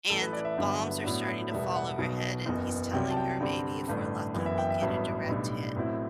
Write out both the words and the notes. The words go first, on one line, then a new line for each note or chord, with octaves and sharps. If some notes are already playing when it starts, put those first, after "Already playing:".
and the bombs are starting to fall overhead, and he's telling her, "Maybe if we're lucky, we'll get a direct hit."
A1 A2 E3 A4
B4
D5
E5
G1 G2 D3 F#3 B3
A2 F#3 B3 D4
E1 E2 B2 G3 B3 E5
F#5
B1 B2 F#3
F#1 E2 B2
C2 C3 F#3 G5
A5
G5
G2 D3 G3 C4
A1 G2 D3 A3
F#1 F#2 E3 B3 E4
E5
G5
E5
A1 G2 F#3 B3
B1 A2 G3 D4
A1 A2 F#3 C4 E4